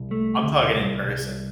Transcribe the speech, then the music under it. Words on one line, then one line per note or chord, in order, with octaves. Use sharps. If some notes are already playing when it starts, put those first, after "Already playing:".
I'm talking in person.
Already playing: C2
A3
D2
C2
C2